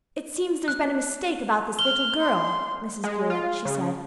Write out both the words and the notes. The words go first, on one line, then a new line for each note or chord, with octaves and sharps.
"It seems there's been a mistake about this little girl, Mrs. Blewett," she said.
F#6
F6 G7
C6
G#3
F4
C#3